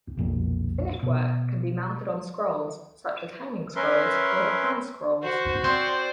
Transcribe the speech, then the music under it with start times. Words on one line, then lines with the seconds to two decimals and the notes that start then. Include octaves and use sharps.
The finished work can be mounted on scrolls, such as hanging scrolls or handscrolls.
0.17 B1 F2 A#2
1.03 B2
3.76 C#4 A#4 B4 E5 C6
5.23 F#4 C5
5.64 C4 C5 D5